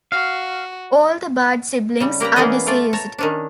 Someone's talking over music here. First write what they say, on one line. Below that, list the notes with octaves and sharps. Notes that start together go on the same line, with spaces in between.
All the Bard siblings are deceased.
F#4 F5
C#3 G3
A#3 G4 B4 A#5
E3 A#3 B3 C#4 G#4 D#5
A3 F4 D5
C#5 A5 A#5
D#3 C#4 D4